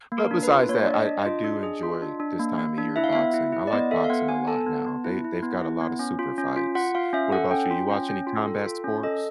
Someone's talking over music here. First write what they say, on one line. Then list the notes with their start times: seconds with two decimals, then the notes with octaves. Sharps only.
but besides that, I I do enjoy this time of year, of boxing I like boxing a lot now, they they've got a lotta super fights. What about you? You watch any combat sports?
0.12 A#3
0.18 A#4
0.31 D4
0.43 B4
0.49 F4
0.69 A#3 C#5
0.86 D4 D5
0.94 D#5
1.07 D4
1.19 D#5
1.26 F4
1.44 D4
1.63 G#4
1.83 F4
2.02 D4
2.20 D4
2.39 A#3
2.58 A#3
2.78 D4
2.96 E4 E5
3.04 F5
3.13 B3 E5
3.34 E4
3.53 E4
3.67 D5
3.72 B3 D#5
3.91 A4 E5
4.04 F5
4.10 B3 F#5
4.28 B3 G#5
4.47 A4 A5
4.67 B3
4.86 B3
5.04 E4
5.24 E4
5.43 B3
5.62 E4
5.81 B3
5.99 C#4
6.19 F4
6.38 C#4
6.56 F4
6.75 F4 F#5
6.95 F4 F5
7.13 C#4 E5
7.32 A4 F#5
7.51 C#4 G5
7.71 F4
7.90 C#4
8.09 C#4
8.27 F4
8.46 A4
8.66 F4
8.84 C#4
9.03 A4 D#5